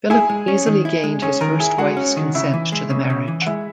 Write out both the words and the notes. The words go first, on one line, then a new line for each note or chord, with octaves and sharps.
Philip easily gained his first wife's consent to the marriage.
E4 G#4 G#5
G#3
C#4
D#3
E4
G#3
C#4 G#4 G#5
D#3 A#4 A#5
E4 G#4 G#5
G#3 F#4 F#5
C#4
D#3
C#3 E4 E5
E3
G#3
C#3
C#3
E3
F#5
G#3 E4 E5